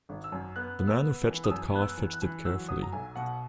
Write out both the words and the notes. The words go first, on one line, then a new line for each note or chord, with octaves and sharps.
The man who fetched that car fetched it carefully.
G#1
E6
F#2
B3 F#6
B3
E6
B3
E3
D#6
F#2 E6
B3 F#6
E6
E3
F#6
E3
F#3 E6
F#3 D#6
A#5
B1 G#5
B2 F#5